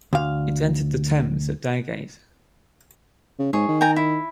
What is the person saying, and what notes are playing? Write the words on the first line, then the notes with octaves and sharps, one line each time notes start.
It entered the Thames at Dowgate.
D2 F5
C#3
G#2 G#4 C#5
D#3
G5 G#5 A#5
E4